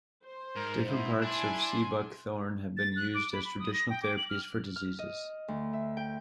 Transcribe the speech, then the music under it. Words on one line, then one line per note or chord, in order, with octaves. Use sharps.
Different parts of sea buckthorn have been used as traditional therapies for diseases.
C5
G#2 A#4
E4
D4 G#5 C6
A6
F#6
D6
B5
B5
D#6
A#6
G5
D6
F#7
F6
F6
D#5
D2
E5
G5